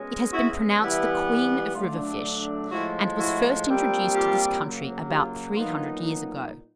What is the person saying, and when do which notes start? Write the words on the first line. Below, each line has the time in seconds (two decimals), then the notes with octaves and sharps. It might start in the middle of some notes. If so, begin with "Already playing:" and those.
It has been pronounced the queen of river-fish, and was first introduced to this country about three hundred years ago.
Already playing: B2 G#3 C#4
0.32 E4 F#4
0.80 E3 G3 B3 E4
1.75 D3 F#3 A3 D4 F4
2.70 A2 F3 G#3 E4 F#4
3.18 E4 F#4
3.66 A#2 G3 C4
4.13 F4 G4
4.61 C#3 F#3 A#3
5.08 F4 G4
5.56 A#2 F#3 B3 D#4 F4